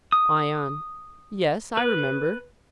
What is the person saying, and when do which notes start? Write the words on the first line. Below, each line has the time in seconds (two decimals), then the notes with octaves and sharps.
ION: Yes, I remember.
0.12 D#6
1.77 B4